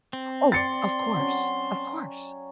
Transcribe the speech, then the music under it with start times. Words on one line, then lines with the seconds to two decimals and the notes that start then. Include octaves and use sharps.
Oh, of course, of course.
0.13 C4
0.52 D5 G5 C6 A6 C7 C#7
1.15 F#3 C#4